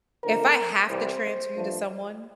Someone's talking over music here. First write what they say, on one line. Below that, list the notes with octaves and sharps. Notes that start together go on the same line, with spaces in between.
if I have to transfer you to someone,
F2 D3 F3 A#3 A#4
C2 C3 E3 G3 C5
G2 F3 A3